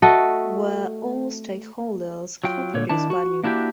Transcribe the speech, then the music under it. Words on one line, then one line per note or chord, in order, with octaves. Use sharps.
Where all stakeholders co-produce value.
A3 F#4 A4 D#5
F#3 F4 G5
A#2 D3 C#5
D#3 D4 E4 A5
F#4
A#3 D4 E4 F#4 G4